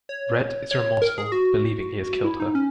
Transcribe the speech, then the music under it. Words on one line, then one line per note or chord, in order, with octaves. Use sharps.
Rhett is remorseful, believing he has killed her.
C#5
C#5
A#4
G#4
F#4
E4
D#4
C#4